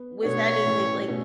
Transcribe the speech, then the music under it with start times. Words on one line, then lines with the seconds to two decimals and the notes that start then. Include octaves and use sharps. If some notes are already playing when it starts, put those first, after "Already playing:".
with anything like,
Already playing: B3
0.23 B2 A3 D4 F#4 C#5
0.65 A2 E3 A3 C#4
1.07 B2 A3 C#4